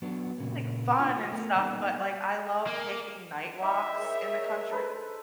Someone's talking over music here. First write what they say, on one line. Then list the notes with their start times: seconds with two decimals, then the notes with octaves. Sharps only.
like, fun and stuff, but, like, I love taking night walks in the country
0.02 F#3 B3 D4 F#4
0.38 A#2 C#3 A#3
0.98 B3 D4 F4 F5
1.16 F4 F#4 C#5
1.32 A3 B3 A#4
1.56 G3 A#3 B3 C#4 D#4
2.67 A#3
3.62 D#4 E5
3.95 G#4 A#4 C#5
4.71 A4 B4 C5